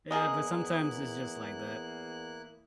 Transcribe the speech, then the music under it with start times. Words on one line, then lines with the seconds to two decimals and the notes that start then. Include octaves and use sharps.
Yeah, but sometimes it's just like that.
0.11 E2 A#3 E4 G#4 A#4 D#5 D#6 F#6